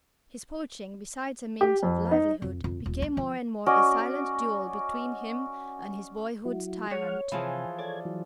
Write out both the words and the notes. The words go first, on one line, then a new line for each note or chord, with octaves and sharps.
His poaching, besides a means of livelihood, became more and more a silent duel between him and his boyhood's tyrant.
G4
F2
D#4
F2
F2
D#1
D4
F3
C#4 F#4 D5 D#5
F#3 E4 F#4
G#3 C#5 F#5 F6
C3 E3 F3 G#4
A4 C#5 D5 G#6
E3 F#3